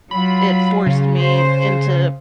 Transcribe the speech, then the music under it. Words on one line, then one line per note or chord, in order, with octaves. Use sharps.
it forced me into
F#3 F4 B5
C#3
C5